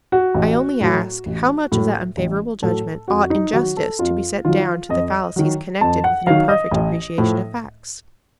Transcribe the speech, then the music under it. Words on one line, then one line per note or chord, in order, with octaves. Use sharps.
I only ask--How much of that unfavourable judgment ought in justice to be set down to the fallacies connected with an imperfect appreciation of facts?
F#4
A1
A2 F#3
A1
A2 F#3
A1
A2 F#3 A4
F2 F#4
D#4
D#3 F#3 F#4
A4
F2 F4
D#3 F#3 F4
F2 D#5
D#3 F#3
F2 A5
F#5
D#3 F#3 F5
D#5
A1
A2 F3